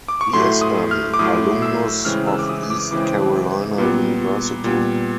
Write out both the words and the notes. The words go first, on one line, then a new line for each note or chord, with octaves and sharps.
He is an alumnus of East Carolina University.
D6
C#6
A2 F#3 A3 C6
D#6
F6
D6
A2 F#3 A3 D#6
E6
C#3 E3 G#3 C4 F6
E6
D6
D#6
D#6
D6
C#3 E3 G#3 C4 D6
A#2 G3 B3
A#2 G3 B3